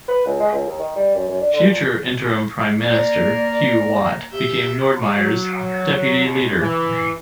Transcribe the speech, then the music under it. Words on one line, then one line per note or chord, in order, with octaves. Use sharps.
Future interim Prime Minister, Hugh Watt became Nordmeyer's deputy leader.
B4
C#2
G#3
C#2
D#2
D#3
G3
F#2
F#2
D4
D3
A#2
A#3 A#4 D5
G4 E5 G6
F#3
D#2
E3